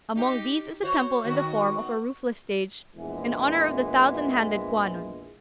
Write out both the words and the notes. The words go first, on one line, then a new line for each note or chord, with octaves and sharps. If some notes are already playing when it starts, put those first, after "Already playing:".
Among these is a temple in the form of a roofless stage, in honour of the thousand-handed Kwannon.
D#4 G4
F#4 C5 C#5
D#3 F#4
B3
A#1 E2 E3 G#3